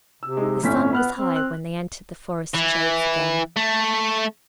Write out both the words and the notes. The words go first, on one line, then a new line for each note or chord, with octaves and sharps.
The sun was high when they entered the forest shades again.
C3 E6
G#3 D#4
G1 A2 C#4 B6
B3 B5 F6 F#6
C4
F#6
E3
A3